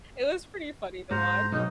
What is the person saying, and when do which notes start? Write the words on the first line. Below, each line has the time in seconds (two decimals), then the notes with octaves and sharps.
Iit was pretty funny to watch.
1.11 G#2 C5 A#5
1.52 B1 D#4